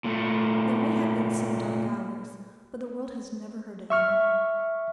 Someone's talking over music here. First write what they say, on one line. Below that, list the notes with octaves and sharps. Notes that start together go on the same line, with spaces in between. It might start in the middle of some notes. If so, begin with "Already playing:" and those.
There may have been some dark hours, but the world has never heard of them.
A#2 A3
E5 C#6 F6